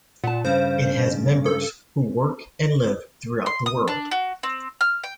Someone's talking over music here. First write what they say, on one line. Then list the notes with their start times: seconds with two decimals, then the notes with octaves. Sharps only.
It has members who work and live throughout world.
0.24 A#2 F#5 A5
0.45 G2 C#3 C5
1.46 A4
3.46 C6
3.66 D#6
3.88 D4
4.11 F#4
4.43 C4
4.81 F6
5.04 G5